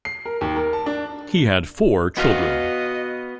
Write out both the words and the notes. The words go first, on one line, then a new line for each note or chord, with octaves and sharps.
He had four children.
C7
A#4
D#2
A#4
A5
D4
B3 F#4 D#5 F5